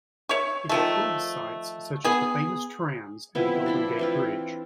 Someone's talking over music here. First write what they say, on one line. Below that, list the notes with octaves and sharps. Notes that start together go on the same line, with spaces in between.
It includes sights such as the famous trams and the Golden Gate Bridge.
C#5 E5 C#6
D#3 F3 A3
B3 G#4
F3 B3 C4 E4
D4 C5 B5
E3 C4 F4